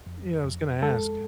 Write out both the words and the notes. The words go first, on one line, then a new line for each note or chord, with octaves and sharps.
Yeah, I was gonna ask.
F2
F2
G#3 A4